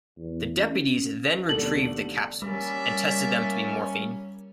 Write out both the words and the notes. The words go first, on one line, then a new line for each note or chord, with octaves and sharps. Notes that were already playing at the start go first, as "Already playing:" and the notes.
The deputies then retrieved the capsules and tested them to be morphine.
E2
C#4
D#2 B2 D3 G3 A3 A4 F#7
G3 A#3 C#4 D5 E5